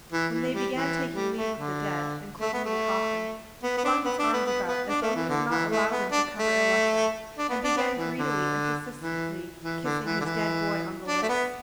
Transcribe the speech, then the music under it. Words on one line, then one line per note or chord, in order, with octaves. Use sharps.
When they began taking leave of the dead and closing the coffin, he flung his arms about, as though he would not allow them to cover Ilusha, and began greedily and persistently kissing his dead boy on the lips.
E3
E3
G3
E3
G3
A3
D3
A3
B3
A3
B3
B3
D4
B3
D4
B3
B3
B3
D4
A3
E3
D3
E3
A3
B3
D4
A3
D4
B3
D4
B3
E3
D3
E3
E3
D3
E3
D3
E3
D4
A3
B3